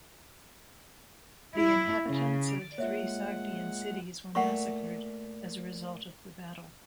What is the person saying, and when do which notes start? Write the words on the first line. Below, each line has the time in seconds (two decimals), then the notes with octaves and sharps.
The inhabitants of three Sogdian cities were massacred as a result of the battle.
1.55 E4
2.07 C#3
2.78 G#3 A#3 F4 C#5 E5 F#5
4.35 A#2 A3 F#5 C#6